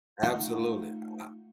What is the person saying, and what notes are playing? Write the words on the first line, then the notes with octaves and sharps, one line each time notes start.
Absolutely, I
A3 D#4 F4 F5 F#5